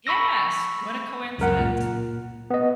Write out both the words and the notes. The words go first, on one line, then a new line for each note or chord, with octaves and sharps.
Yes, what a coincidence.
B5 C#6 E6 A#6
C#2 F#2 A#4 F#5
A#2
B3 D#5